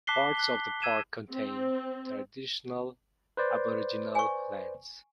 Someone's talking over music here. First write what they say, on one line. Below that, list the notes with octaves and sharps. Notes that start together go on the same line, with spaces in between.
Parts of the park contain traditional aboriginal lands.
A5 D6 F#6 B6 C7 G7
F#6 G7
E6 G#6 D#7 E7
C4
B4 C5 D5
G#5 C#6